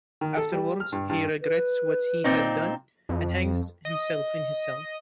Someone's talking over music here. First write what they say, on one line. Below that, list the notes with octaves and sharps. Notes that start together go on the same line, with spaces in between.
Afterwards he regrets what he has done and hangs himself in his cell.
D#3
A4
G3
F6
G2
G2
B4
A#2 C4 D#4
F2
D#5